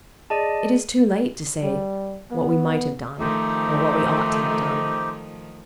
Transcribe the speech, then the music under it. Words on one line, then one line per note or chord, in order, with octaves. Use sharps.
It is too late to say what we might have done or what we ought to have done.
G#4 D5 D#5 A5 D#7
G3
B3
D#3 F3 A3 C4 D#4 G4